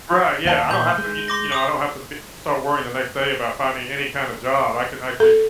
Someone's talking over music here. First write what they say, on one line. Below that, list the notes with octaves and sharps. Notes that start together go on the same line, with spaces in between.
Right, yeah I don't have to you you know, I don't have to be start worrying the next day about finding any kinda job I can actually
D#2 F5 A5
A#2 G6
G#3
C6 D6 A#6
D6 D#6
A4